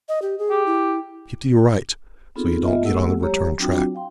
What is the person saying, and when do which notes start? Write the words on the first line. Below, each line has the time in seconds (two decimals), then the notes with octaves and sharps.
Keep to your right so you don't get on the return track.
0.09 D#5
0.22 G4
0.39 G#4
0.51 G4
0.66 E4
2.36 B3 C4 D#4 F4 G#4 A4
2.61 B3 F4 D#5 E5
2.82 A3 B3 G4 A4 F#5 E6
3.22 F#3 G#3 G4 C#5 A#5
3.59 F#3 C4 D4 F4 F#4 G5
3.95 F5 G5 C6